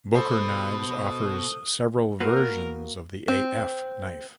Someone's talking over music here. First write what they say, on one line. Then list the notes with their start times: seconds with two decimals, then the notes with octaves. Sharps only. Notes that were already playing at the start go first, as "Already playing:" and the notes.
Boker Knives offers several versions of the A-F knife.
0.15 B2 A4 C5 D#6
2.20 A#3 F#4 A#4 B4
3.28 C4